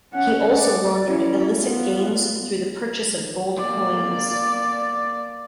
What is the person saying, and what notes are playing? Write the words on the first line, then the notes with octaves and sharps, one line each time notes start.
He also laundered illicit gains through the purchase of gold coins.
C#4 F#5
D5
C#4 E4
B3 F4
A#3 D5